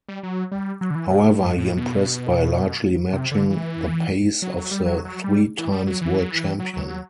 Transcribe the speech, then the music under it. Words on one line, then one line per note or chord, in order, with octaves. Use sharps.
However, he impressed by largely matching the pace of the three-times World Champion.
G3
F#3
G3
F#3
D3
E3
B2
A2
G2
A2
B2
C3
D3
E3
F#3
F#3
G3
F#3
F#3
G3
E3
G3
F#3
E3
F#3
E3
F#3
F#3
F#3